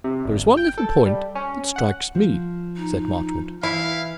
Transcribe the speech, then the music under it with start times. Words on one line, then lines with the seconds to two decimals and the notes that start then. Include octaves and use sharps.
"There is one little point that strikes me," said Marchmont.
0.04 C3
0.25 G1
0.57 G5
0.78 A4
1.06 G3
1.35 C#4
1.76 F#5
2.15 F3
2.76 D#4
3.63 E3 E4 E5 F5